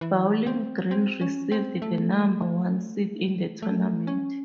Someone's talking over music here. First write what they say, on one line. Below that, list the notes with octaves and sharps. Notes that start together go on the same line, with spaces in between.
Bowling Green received the number one seed in the tournament.
E3
C4
C4
C#4
C4
A3
A3
C#4